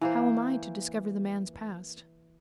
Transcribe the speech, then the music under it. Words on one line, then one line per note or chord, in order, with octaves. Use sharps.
"How am I to discover the man's past?"
E3 A#3 C5